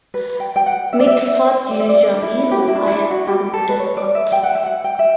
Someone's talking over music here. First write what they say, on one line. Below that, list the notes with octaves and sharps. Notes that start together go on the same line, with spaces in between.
Mitford usually required armed escorts.
B4
G5
G5
F#5
E5
D5
E5
D5
E5
D5
D4
E4
G4
F#4
E4
D4
E4
D4
F#4
G4
A4
B4
C#5
D5
E5
G5
F#5
E5
F#5
G5
E5